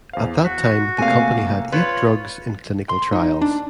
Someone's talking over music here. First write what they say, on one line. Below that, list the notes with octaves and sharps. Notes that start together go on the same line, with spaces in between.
At that time the company had eight drugs in clinical trials.
E2 C5 F5
F#4 F#6 B6
C3 A3 A#3 F5 G#5
F4 B4 C#5
C6
D#4
D4